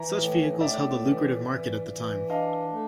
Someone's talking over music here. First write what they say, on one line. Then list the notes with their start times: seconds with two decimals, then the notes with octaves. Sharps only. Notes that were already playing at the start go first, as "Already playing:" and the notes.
Such vehicles held a lucrative market at the time.
Already playing: E3 G#5 A#5
0.19 A2
0.61 A2 D5 E5
1.04 E3
1.45 E3
1.87 E3
2.29 D4 D#5 F5
2.73 A3